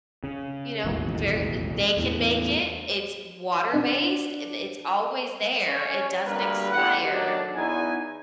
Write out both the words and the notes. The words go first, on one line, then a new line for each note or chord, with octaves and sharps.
You know, very eh, they can make it, it's water-based, i th it's always there, it doesn't expire,
C#3
E1 A1 D#2
E2 A2
D4
C#4 C#5
D2 G2 G3 A#3 A#4 B4
A1 E2 G4 F#5
D#3 F#3 A3 D4
E2 D#4 G#5